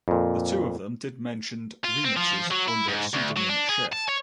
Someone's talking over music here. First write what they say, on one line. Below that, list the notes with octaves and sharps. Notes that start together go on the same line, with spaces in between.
The two of them did mentioned remixes under pseudonym Chef.
F2 A#2
F4
C4
F3
F#3
E4
G#2
D2
F#3
D4
G#4
A5
C#5